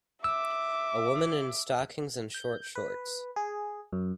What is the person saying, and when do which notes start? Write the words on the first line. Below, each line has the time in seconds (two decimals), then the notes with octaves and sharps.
A woman in stockings and short shorts.
0.24 E5 D6 E6
2.34 G6
2.75 B4
3.36 G#4
3.93 F#2